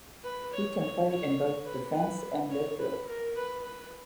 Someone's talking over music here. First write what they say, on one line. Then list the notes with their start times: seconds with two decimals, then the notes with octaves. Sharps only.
He can play in both defence and midfield.
0.24 B4
0.53 C#5
0.81 C#5
1.09 C#5
1.66 B4
1.94 B4
2.50 C#5
2.79 B4
3.07 A#4
3.36 B4
3.64 B4